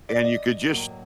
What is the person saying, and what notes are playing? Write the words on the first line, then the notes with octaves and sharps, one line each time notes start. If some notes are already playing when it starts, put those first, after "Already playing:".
and you could just
D5
D#5
A2 F#3 A#3